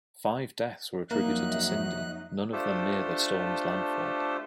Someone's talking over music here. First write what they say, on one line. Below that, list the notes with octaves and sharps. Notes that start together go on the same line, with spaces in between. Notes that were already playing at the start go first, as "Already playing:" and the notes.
Five deaths were attributed to Cindy, none of them near the storm's landfall.
F2 F#3 A#3 D#4 E5 F#6
A3 D4 F4 G4 A4 C5